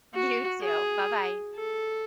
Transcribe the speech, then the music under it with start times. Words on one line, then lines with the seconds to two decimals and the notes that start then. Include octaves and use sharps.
you too, bye-bye.
0.15 F#4
0.62 G#4
1.55 A4